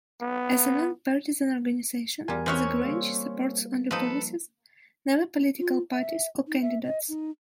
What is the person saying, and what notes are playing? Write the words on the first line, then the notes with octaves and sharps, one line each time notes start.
As a non-partisan organization, the Grange supports only policies, never political parties or candidates.
B3
E2 G3 F4 A#4 G#5
E3 C4 C#4 D#4 F#4 C#5
G3 A#3
F3 D#4 A4 B4
F4
E5
D#4
E5
D#5
D#4